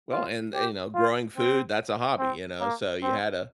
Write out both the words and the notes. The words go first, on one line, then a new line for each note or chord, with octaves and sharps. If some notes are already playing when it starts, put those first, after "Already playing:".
Well, and and you know, growing food, that's a hobby, you know? So, you had to
F4
G4
F4
C4
C4
A#3
C4